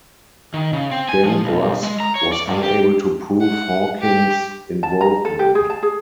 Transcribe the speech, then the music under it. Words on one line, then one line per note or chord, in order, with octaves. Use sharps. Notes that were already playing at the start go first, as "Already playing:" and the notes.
Gen Rusk was unable to prove Hawkins' involvement.
D#3
C#3
C4
G#5
F3
B1
G#3
A#5
C#5
D5
G2
G4
F#5
G4
A5
A#5
A4
G4
G#4
A5
G#4